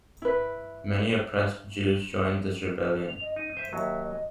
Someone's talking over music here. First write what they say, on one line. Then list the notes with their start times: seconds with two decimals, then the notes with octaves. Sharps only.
Many oppressed Jews joined this rebellion.
0.22 E4 B4
3.08 F7
3.22 D#5
3.36 D#4 D#7
3.57 C5 E5
3.73 D#2 F#3 E5
4.03 D#5